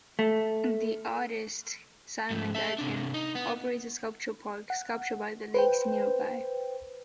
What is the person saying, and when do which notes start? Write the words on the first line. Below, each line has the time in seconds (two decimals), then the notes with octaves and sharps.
The artist Simon Gudgeon operates a sculpture park, "Sculpture by the Lakes", nearby.
0.19 A3
2.31 G#2 F3
2.55 A4 E5
2.78 C3 D4
3.14 D#4
3.35 B3
4.70 F#5
5.54 B4 C5 G5